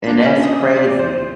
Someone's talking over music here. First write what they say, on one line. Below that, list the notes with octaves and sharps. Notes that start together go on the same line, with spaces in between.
And that's crazy.
D4
C#4
D#6
D5
C5